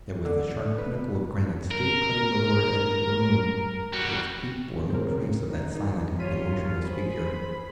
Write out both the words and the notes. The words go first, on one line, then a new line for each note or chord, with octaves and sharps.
There was the sharp pinnacle of granite still cutting the lower edge of the moon, but its peak bore no trace of that silent and motionless figure.
D3
B4
A#4
G3 F#4
C#3 C4 A#4 C5
G#1 D#4
F3 F4 G4 C#5 B6 D#7
G#4 C5 B5